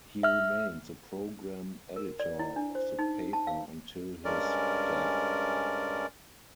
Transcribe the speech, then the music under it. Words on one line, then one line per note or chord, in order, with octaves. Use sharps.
He remained the programme editor of the paper until his death.
E5 F6
A#4
D5
E4
D4
C5
D#4
A5
F5
G2 G#3 C#4 A#4 D5